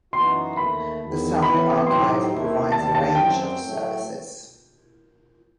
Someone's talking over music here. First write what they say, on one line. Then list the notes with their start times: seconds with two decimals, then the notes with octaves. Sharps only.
The Sound Archive provides a range of services.
0.13 F#2 E3 B3 D#4 F#4 C6
0.57 D#2 D#3 A3 B5
1.00 E2 D#3 F#3
1.43 A2 E3 B3 E4 B5
1.86 A2 F#3 C4 D#4 G4 C6
2.29 D#2 D#3 A3 E4
2.72 D#2 D#3 G3 A5
2.95 A5
3.15 F#2 F#3 C4 G5
3.59 A2 F#3 A3